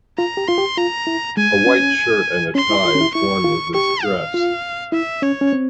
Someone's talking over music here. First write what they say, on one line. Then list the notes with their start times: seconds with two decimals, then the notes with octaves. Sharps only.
A white shirt and a tie is worn with this dress.
0.18 F4 A#5
0.37 G4
0.47 F4 C6
0.58 G4
0.77 F4 A#5
1.07 E4
1.37 G#3 G#5
1.66 C#4
2.55 C#4 C6
2.70 E4
2.85 F4
2.95 C#4
3.01 E4
3.14 E4 C#6
3.44 F4
3.74 G4 C#6
4.04 F5
4.34 F4
4.92 E4 E5
5.22 C#4 C#5
5.41 C#4
5.53 C4